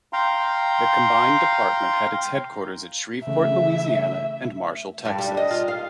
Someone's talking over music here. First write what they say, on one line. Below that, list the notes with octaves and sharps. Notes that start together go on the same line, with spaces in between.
The combined department had its headquarters at Shreveport, Louisiana, and Marshall, Texas.
F5 G5 A#5 C6
C#3 E3 A3 E5
G2
G3
D#5
F4
F5